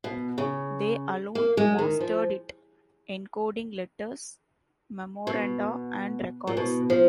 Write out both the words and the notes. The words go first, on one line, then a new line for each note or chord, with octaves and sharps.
They alone mastered it, encoding letters, memoranda, and records.
B2
C#3
A#3
G#3
D#3
F3
B2
A#2
B2
F3